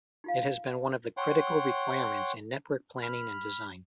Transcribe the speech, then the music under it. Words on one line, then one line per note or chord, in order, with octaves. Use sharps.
It has been one of the critical requirements in network planning and design.
D#4 F4 F5
C#5 F#5 G5 C6
B5 F6